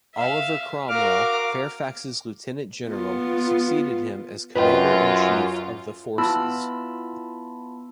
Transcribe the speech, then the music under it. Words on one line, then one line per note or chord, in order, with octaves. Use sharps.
Oliver Cromwell, Fairfax's Lieutenant-General, succeeded him as Commander-in-chief of the Forces.
E5 F5
F#4 A#4 F5 D6 F6
B3 F4
F#2 F4 B4 D#5 G5
B3 E4 F4 A5 B5 E6